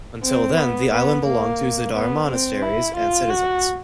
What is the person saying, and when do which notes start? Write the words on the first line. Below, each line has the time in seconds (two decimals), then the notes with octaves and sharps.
Until then the island belonged to Zadar monasteries and citizens.
0.24 C4
0.57 B3
0.91 B3
1.26 A#3
1.93 B3
2.29 C4
2.62 E4
2.97 F4
3.30 F#4